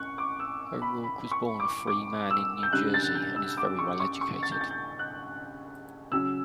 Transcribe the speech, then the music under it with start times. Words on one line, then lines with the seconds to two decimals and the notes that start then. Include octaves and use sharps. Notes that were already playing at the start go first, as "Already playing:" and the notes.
O'Rourke was born a free man in New Jersey and is very well educated.
Already playing: C#4 C#6 F#6
0.18 D6
0.40 E6
0.82 B5
1.04 B5
1.31 C#6
1.60 D6
1.87 D6
2.31 E6
2.63 G6
2.72 C#3 G3 D4 F#6
2.94 A6
3.15 G6
3.36 E6
3.57 D6
3.79 C#6
4.00 C#6
4.21 C#6
4.43 A6
4.52 G6
4.61 A6
4.71 G6
4.99 F#6
6.12 C#3 F#3 C#4 E6